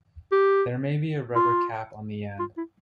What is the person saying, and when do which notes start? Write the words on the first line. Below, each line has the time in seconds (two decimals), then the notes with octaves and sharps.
There may be a rubber cap on the end.
0.32 G4
1.36 F4
2.39 F4
2.57 E4